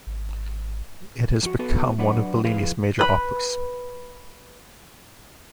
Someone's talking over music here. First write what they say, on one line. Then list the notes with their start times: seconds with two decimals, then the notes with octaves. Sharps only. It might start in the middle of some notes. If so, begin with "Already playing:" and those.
It has become one of Bellini's major operas.
0.07 G#1
1.43 F2 F#4
1.59 B3 F#4 A4 B4
1.98 F#3 D4 B4 D5 F#5
2.45 F3 E4 G#4 B4 F5
2.99 B4 B5